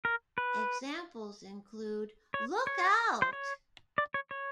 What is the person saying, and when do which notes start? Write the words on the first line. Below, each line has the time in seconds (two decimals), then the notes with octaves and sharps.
Examples include: Look out!
0.05 A#4
0.38 B4
2.34 C#5
2.67 C#5
3.22 C5
3.33 C#5
3.98 D5
4.14 C#5
4.31 C#5